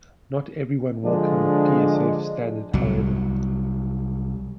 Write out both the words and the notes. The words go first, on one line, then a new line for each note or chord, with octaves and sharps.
Not everyone welcomed the PsF standard, however.
D3 F3 G#3 D4
C2 F#3